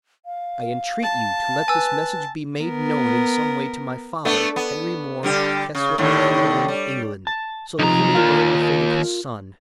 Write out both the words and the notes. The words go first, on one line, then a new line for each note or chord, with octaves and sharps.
I entreat you to let this message be made known in some way to my father, Henry More, Keswick, Cumberland, England, so that he may learn the fate of his son.
F5
A5
B4 G#5 E6
B3 A#4
A3 B3 D4
B3
D3 G3 G4
C#3
D#2 A2 D3
G3
A5
D#2 C3 F3 D#4 A#5
F4 A#4 F5